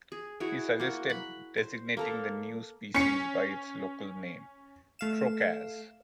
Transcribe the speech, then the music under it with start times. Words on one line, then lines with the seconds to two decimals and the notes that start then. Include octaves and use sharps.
He suggested designating the new species by its local name, "trocaz".
0.12 G#4
0.40 E4 F#4 G#4 C#5
0.80 A#3 F#4
1.10 B5
1.57 C5
1.97 A#3 A4 A#5
2.94 C#4 C#7
4.99 A3 F5 E7